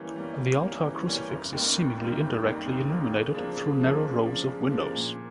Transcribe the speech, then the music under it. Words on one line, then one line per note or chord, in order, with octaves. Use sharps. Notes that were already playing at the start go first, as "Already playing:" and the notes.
The altar crucifix is seemingly indirectly illuminated through narrow rows of windows.
Already playing: E3 G3 A#3 C#4
G3 A#3 C#4
E3
G3 A#3 C#4
E3
G3 A#3 C#4
F1
D#2 D#3 G3 A#3
F1
D#2 D#3 G3 A#3
F1
D#2 D#3 G3 A#3
F1
D#2 D#3 G3 A#3
C#3
F3 A#3 D4
C#3
F3 A#3 D4
C#3
F3 A#3 D4
C#3
F3 A#3 D4
A#2